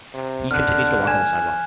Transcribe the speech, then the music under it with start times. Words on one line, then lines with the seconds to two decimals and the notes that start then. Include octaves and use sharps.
He continues to walk on the sidewalk.
0.14 C3
0.51 D3 F6 F#6
1.07 G#5 G#6 E7